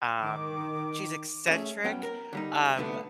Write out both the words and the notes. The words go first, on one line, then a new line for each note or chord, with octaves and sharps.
um she's eccentric, um,
D#3 D6
A3 C#4 G#4 E5
F#2 B3 C#4 G5
A#4
D3 G3 D#4
D2 G#2 D3 A3 B3 D4